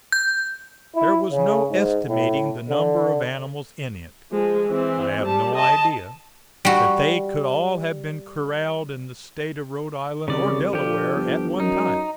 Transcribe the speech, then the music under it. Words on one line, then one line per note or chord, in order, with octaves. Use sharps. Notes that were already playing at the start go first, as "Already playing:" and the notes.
There was no estimating the number of animals in it; I have no idea that they could all have been corralled in the State of Rhode Island, or Delaware, at one time.
G6
E4
C#3
G#2
A2
D3
F3 G#3
E3 C4
G3 A5
D#5 A5
G3 F#4
C2 C#3 D5
D3 F3 G4
G1
F#2 D#4